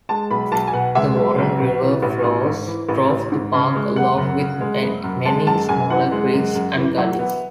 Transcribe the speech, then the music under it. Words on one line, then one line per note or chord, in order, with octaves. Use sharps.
The Warren River flows through the park along with many smaller creeks and gullies.
G#3 A5
B1 B5
B1 A5
G#5
B2 F#5
G#3 E5
B1
B1
B2
E3
A1
A1
G#2
E3
A1
A1
G#2
C#3
G#3
F#1 F#5
F#2
C#3
G#3
F#1
F#2
G#3 A5
F#2 A5
F#2 G#5
E3 F#5
G#3
F#2
F#2
E3
F#3 E5
B3